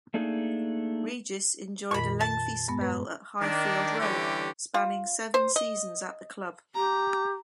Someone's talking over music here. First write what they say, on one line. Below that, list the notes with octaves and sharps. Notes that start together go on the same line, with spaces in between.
Regis enjoyed a lengthy spell at Highfield Road, spanning seven seasons at the club.
A3 A#3 D4 D#4 G#4
F2 A#2 D#3 B5 C#6
A5
G2 G#3 B3
B4
D#3 D4
D3 E3 G3 C#4 E4 G4
F4
C5
D#5
G4 A#5